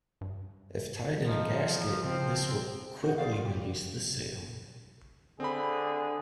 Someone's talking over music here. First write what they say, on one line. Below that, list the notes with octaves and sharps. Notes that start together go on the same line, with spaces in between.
If tied in a gasket, this will quickly release the sail.
G2
F3 D#4
C#3 C4
F#4 C5 D#5 F#5
G#4 C5 D5 F5
F4
G4
D3 C4 G#4 B5